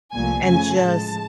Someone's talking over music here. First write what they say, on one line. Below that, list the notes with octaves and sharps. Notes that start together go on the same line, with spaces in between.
and just
C2 A#2 F3 A3 G#5
F2 C#3 F3 A3 G#5
A2 F3 G#3 A5